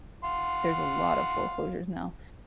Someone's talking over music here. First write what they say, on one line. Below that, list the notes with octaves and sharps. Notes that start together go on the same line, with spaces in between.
there's a lot of foreclosures now,
F5 F#5 C6